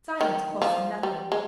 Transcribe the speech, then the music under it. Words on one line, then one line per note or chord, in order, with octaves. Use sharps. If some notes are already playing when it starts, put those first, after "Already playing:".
Silence costs nothing.
D#3
F3
G3
G#3